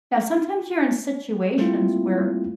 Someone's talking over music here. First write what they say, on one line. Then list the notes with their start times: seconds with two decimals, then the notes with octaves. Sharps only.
Now sometimes you're in situations where
1.58 G3 A3 A#3 C4 E4 F4